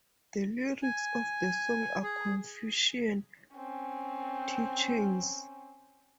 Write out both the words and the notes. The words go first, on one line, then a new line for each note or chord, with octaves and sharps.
The lyrics of the song are Confucian teachings.
G#5
G#4
C4 C#4